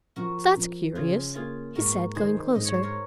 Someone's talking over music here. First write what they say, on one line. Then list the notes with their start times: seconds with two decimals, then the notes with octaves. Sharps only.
"That's curious!" he said, going closer.
0.16 F3 F#4 A#4
0.56 F3
0.95 C#3 F4 G#4
1.35 A#3 F4 G#4
1.75 G#2 F#4 A#4
2.15 D#3 G#4 C5
2.55 G#2 D#5
2.65 C#5
2.74 C5
2.83 A#4 C#5